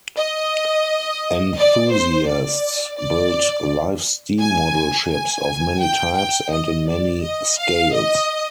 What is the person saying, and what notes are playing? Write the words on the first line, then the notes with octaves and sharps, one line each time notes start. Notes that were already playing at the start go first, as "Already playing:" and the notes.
Enthusiasts build live steam model ships of many types and in many scales.
D#5
D5
C5
D5
D5
G#5
G#5
G5
G5
D#5
D5
D#5
F5
D#5